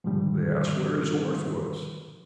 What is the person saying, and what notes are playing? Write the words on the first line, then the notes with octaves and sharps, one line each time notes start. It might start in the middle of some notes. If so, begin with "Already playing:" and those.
They asked where his horse was.
G#2 B2 D3 D#3 F3 G3